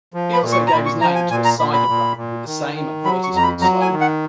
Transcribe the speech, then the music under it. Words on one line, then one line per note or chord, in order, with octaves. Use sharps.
He also gave his name to a cider brand with the same advertisement slogan.
F3
B5
A#2
C#6
A#5
A#2 B5
C#6
F3 A#5
G#5
A#2 G#5
A#5
A#2 B5
B5
A#2
A#2
D#3
D#3
F#3 B5
C#6
F2 A#5
B5
F#3 A#5
G#5
D#3
F#5